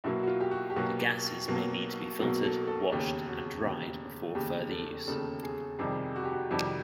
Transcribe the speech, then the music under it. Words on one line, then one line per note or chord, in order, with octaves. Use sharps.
The gases may need to be filtered, washed and dried before further use.
B1 B2 F#3 A#3 E4
F#4
F4
G4
F#4
G4
B1 B2 F#3 A#3 F#4
B1 B2 F#3 A#3
B1 B2 F#3 A#3
A4
A4
E1 D#2 C#3 G4
F#4
E1 D#2 C#3
E1 D#2 C#3 G4
A4
E1 D#2 C#3 A4
G#4
F2 C3 D#3 G3 G#4
F#4
G4
F#4
F2 C3 D#3 G3 G4